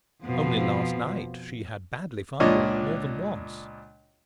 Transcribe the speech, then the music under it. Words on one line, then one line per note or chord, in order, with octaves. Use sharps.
Only last night she had badly fumbled, more than once.
F2 B2 F3
C#2 A#2 D4 C#5 D#5